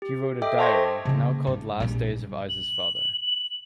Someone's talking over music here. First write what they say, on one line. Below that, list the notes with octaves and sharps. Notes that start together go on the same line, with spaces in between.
He wrote a diary, now called Last Days of Issa's Father.
G4
A4 D#5 E5 G5 D6
C5 A5 C6 C#6 G#6 A#6
C#3 A#3
G2
A#1 G3
F#7
F#7